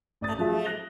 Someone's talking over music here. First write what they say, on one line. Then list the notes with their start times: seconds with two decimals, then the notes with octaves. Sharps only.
And I
0.21 A1 D5 D#6 A6
0.38 F3 F#3 F4 G#4 E5
0.64 F#6 A#6 F7 G7